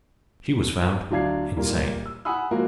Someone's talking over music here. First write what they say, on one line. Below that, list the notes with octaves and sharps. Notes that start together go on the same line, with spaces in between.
She was found insane.
D2 F#3 D4 F5 G#6 C7
A#2 G3 A#3
E6
F#5 G#5 B5 D#6 E6
F3 G#3 A#3 F4 F#4